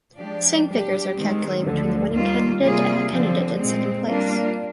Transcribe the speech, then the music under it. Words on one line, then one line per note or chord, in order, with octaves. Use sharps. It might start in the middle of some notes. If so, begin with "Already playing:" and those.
Swing figures are calculated between the winning candidate and the candidate in second place.
F3 G#3 D4 G4 D5
G3 D4 G4
D#3 G#3 C4
D2 D3 F3
D#2 D#3 G3 A#3 F4
C3 G3 A#3 F4 G#4
D3 F3 C4
A#2 G#3 C4
G3 A#3 D4 F4 A#4